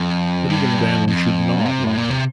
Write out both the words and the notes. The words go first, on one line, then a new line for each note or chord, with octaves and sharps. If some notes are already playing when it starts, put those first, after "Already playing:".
But even then we should not love them.
Already playing: F2
G2
F2
F2
C3
A2
A#2
C3